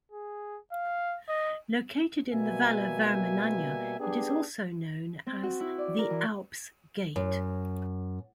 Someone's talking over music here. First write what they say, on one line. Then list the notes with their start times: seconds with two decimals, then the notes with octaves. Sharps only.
Located in the Valle Vermenagna, it is also known as "the Alps' gate".
0.11 G#4
0.72 F5
1.29 D#5
2.33 B2 G3 A#3 E5 G#5
4.00 B3 D4 G4 G#4
5.27 C4
5.43 F#4
5.60 E4
5.78 D5
5.99 A#4
6.10 E3
7.16 F#2